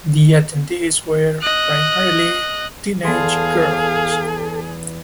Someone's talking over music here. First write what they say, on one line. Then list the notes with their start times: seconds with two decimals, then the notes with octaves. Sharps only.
The attendees were primarily teenage girls.
1.42 D#5 F#6
3.04 E2 G#4 A4 F5 A5 C6